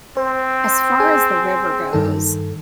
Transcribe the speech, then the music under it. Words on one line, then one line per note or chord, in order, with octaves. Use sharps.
As far as the river goes,
C4 C5
G#4 G#5
G2 D#3 A4